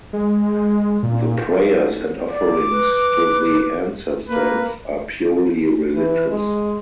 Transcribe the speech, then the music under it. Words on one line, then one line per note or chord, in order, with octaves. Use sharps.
The prayers and offerings to the ancestors are purely religious.
G#3
A#2
D5 D6
B4
A#3 B4
E3
G#3